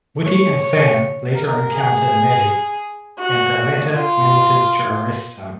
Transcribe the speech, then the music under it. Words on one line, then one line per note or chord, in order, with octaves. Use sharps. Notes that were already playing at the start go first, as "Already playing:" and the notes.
Witty and Sam later encounter Maddie and the latter manages to arrest him.
C#5
C#5
A#4
G#4
F#4
F4